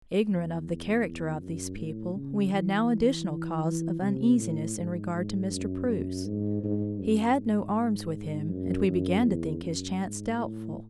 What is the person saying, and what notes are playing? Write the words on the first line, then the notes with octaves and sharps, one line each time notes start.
Ignorant of the character of these people, we had now additional cause of uneasiness in regard to Mr. Preuss; he had no arms with him, and we began to think his chance doubtful.
E2
F#2
A2
C#3
E3
E3
C3
A2
G#2
G#2
F#2
F#2
G#2
G#2
F#2
G#2
F#2
F#2
E2
F#2
G#2
A2